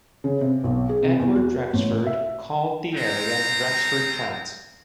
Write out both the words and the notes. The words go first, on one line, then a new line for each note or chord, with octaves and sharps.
Edward Rexford called the area Rexford Flats.
C#3
C3
B1
G#4
C3
E2
F#4
A1
E5
G3 G#3 C4 A#5